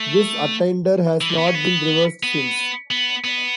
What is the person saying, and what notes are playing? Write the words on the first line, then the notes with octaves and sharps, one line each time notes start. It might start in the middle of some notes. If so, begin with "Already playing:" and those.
This attainder has not been reversed since.
Already playing: A3
E3
D3
B3
C#4
B3
B3
B3
B3